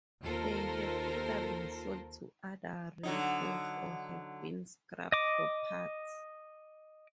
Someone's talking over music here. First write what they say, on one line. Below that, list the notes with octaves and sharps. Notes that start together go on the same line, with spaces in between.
They have either been sold to other railroads or have been scrapped for parts.
D#2 F4 A4 A#4 C5
D3 F#3 D#4
D#5 D6